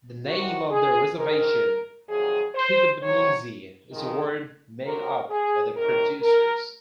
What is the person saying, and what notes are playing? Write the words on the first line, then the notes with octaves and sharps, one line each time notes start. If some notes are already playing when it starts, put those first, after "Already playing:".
The name of the reservation, "Kidabaneesee," is a word made up by the producers.
C3 D#3 F#3 F#4
G#4
G#2 D#3 G#3 A#4
F2 C3 D#3 F#3 G#4
C5
C3 F#3 C#5
F2 D#3 G#3
C3 F#3 A#4
G#4
C3 D#3 F#3 A#4
A#4